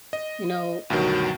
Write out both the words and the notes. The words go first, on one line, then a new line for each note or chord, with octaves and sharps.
you know
D#5
D2 G2 B2 D#3 F#3